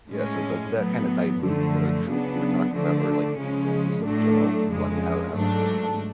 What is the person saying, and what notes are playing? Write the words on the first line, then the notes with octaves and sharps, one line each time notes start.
Yeah, so doesn't that kinda dilute the truth you were talking about or, like, the consensus of general people? I mean, how how how do you
A2 G#3 C#4
A2 F#3 B3
F#2 D3 F3 A3
C#3 F#3 B3 D4
D3 F3 A3 D4
C#3 F3 G#3 C#4
A2 F#3 A3 D4
F2 C#3 G#3
G#2 F#3 A3 D4